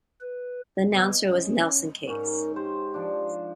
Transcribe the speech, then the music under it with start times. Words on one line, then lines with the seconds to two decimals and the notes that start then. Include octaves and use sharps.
The announcer was Nelson Case.
0.21 B4
0.92 B3 D#5
1.31 C#4
2.07 G#2 C#4 D#4 A#4
2.56 G4 C5
2.94 F3 D4